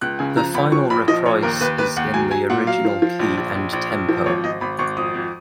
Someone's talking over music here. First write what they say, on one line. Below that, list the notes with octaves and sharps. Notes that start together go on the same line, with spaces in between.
The final reprise is in the original key and tempo.
C#2 F#6
C#3 G#5
F3 A#5
C#2 B5
F3 C#6
A#1 B5
F3 D#5
A#1 C#5
D#2 A#4
D#2 B4
D#2 B4
D#2 F#5
F#3 G#5
F#3 G#5
A#2 F#5
F#3 F5
F3
F3
A#1
A#1
A#1
A#1
A#1
F3
G#1 C#5
G#1 D#5
G#1 B5
G#1 C#6
F2 D#6
F2